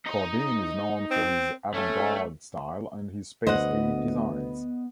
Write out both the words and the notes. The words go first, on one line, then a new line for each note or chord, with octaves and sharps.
Cardin is known for his avant-garde style and his Space Age designs.
D#4 D#5
C4
A3 C#4
D2 B3 C5 D#5 F#5